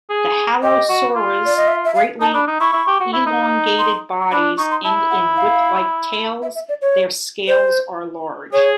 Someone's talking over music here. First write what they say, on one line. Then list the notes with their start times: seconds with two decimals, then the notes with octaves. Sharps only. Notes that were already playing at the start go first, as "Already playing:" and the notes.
The halosaurs' greatly elongated bodies end in whip-like tails; their scales are large.
0.10 G#4
0.63 G4 D#5
0.89 F#4
1.16 F4
1.46 D5
1.57 D#5
1.68 E5
1.84 E5
1.95 F5
2.20 D#4 A5
2.34 D4 B5
2.47 D#4
2.60 E4 C#6
2.73 E4
2.87 G4
3.00 F#4
3.13 E4
3.26 D#4
3.79 C6
4.31 D4 B5
4.58 D#4 C#6
4.71 C6
4.84 E4 A5
5.11 F#5
5.37 F5
6.42 E5
6.55 E5
6.69 D5
6.82 C#5
7.47 C5
8.53 G#4 C#5